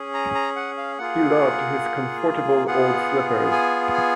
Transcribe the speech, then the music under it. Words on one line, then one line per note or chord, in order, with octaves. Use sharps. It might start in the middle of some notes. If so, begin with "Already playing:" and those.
He loved his comfortable old slippers.
Already playing: C#4 G#4
A#5
A#5
F#5
F5
A#3 F4 G#4 F#5
B3 F4 G#4 F#5
G#5
G#5